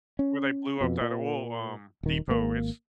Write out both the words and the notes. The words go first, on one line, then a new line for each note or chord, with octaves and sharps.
where they blew up that oil, um, depot. It's
C#4
F2 B2
A#2
D#1 D#3
G#1 A#3